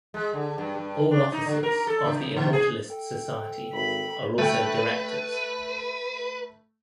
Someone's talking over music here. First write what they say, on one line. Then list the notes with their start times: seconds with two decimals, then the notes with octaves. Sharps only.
All Officers of the Immortalist Society are also Directors.
0.14 G#3
0.34 D3
0.58 G2
0.75 G2
1.11 D4
1.32 D#4
1.46 D3
1.63 A#4
1.87 A4
2.05 C#3
2.36 D3
2.53 G#4
2.88 A4 G5
3.73 G#1 B5
4.38 A3 B4 G5